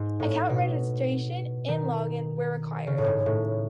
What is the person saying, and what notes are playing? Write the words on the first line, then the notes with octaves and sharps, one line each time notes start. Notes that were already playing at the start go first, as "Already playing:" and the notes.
Account registration and login were required.
Already playing: G#2
A2
B2
D#3
C#3
A2
G#2
A2